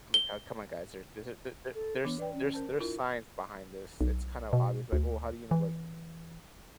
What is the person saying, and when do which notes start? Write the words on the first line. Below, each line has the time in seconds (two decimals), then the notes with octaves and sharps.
I mean, "Co come on, guys, there's there's, eh there's there's, there's there's there's science behind this, it's kind of obvious," be like, "Well, how do you know?" Be like,
0.14 G7
1.75 A4
2.05 E3 B3 D4
2.19 B4 D5 G5
2.33 C#4
2.54 A#4 C5 A5
2.80 D4 E4 F4 A#4
4.01 B1
4.53 B2
4.93 D2
5.51 E3